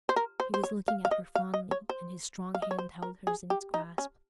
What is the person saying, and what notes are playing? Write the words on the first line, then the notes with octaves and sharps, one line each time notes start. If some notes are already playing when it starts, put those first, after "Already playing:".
He was looking at her fondly, and his strong hand held hers in its grasp.
C5
A#4
C5
C5
C#5
F5
F5
D#5
F5
D#5
C#5
C5
F5
D#5
C#5
C5
A#4
G#4
G4
D#4
C#4